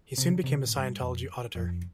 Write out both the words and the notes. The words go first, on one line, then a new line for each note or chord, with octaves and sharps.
He soon became a Scientology auditor.
C3
D3
C3
D3
A2
G2
F2
F2